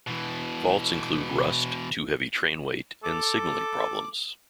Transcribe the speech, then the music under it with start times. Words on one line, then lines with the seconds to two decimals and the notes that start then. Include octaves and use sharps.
Faults included rust, too heavy train weight, and signaling problems.
0.08 B2 E3
3.04 A4 D6